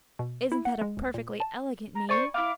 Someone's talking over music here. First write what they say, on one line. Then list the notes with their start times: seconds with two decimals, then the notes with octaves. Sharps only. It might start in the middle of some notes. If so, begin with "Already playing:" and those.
Isn't that a perfectly elegant name?
0.19 B2
0.52 E4
0.65 F#5
0.81 G#3
0.97 D2
1.14 A#2
1.40 A5
1.95 A#5
2.09 C5 D5 G#5 C#6
2.34 E4 F5 D6